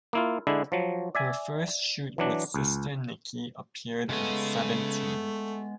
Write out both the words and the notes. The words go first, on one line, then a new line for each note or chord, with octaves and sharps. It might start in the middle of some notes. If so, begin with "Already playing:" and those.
Her first shoot with sister Niki appeared in "Seventeen".
A#3 E4 F4
D3 G#3 D4 E4
F3 F#3
D5 E5 G#5
E3 F#3 D4
C#2
C#3 G#3 A3 B3 G#5